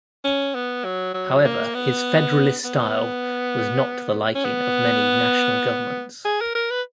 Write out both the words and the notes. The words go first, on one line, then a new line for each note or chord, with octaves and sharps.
However his federalist style was not to the liking of many national governments.
C#4
B3
F#3
F#3
A#3
B3
B3
C#4
B3
G#4
A#4
A#4
B4